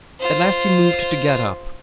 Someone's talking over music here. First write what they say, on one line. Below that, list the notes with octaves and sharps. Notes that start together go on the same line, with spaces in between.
At last he moved to get up.
F4 C5